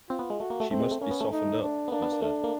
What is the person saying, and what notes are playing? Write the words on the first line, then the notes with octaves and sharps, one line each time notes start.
"She must be softened up," I said.
C4 F4
B3
G#3
A3 F#4
A#3
A3
A3 C4
G#3
A3
A#3 C#4
B3
A3
D#4
D4
B3
A#3 D4
B3
A#3
A3 D4
A#3